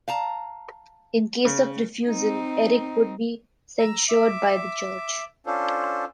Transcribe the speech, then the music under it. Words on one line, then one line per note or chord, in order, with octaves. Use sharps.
In case of refusal, Eric would be censured by the Church.
F5 A5 A#5
C#3
C4 D#4
A#5 E6
E5 D6
C#4 D4 F4 A4 C5